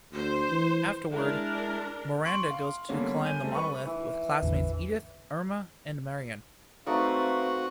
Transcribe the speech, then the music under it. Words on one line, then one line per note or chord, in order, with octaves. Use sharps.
Afterward, Miranda goes to climb the monolith with classmates Edith, Irma, and Marion.
D2 C5
E3
G#3 D4 E4 A#4
C6 C#6 D7 F#7
F5 C6
D3 G3 A#3 B3 C#4
G#5 G6 D#7
G3 A3 C4
B4 C#6
E3
A1 E2 D3
A3 C4 D#4 F#4 B4 D5 F5